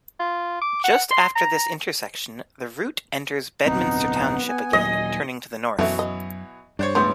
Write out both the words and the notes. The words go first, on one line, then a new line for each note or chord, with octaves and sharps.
Just after this intersection, the route enters Bedminster Township again, turning to the north.
F4
D6
F#5
C6
A#5
D1 B1 B3 C4 D#4
G#5
D#1 A#2 F#3 D#5
F#2 B2 E3 F#3 A3 E5
D#5
G2 D4 C5 C#5
C#2 A2 B3 C5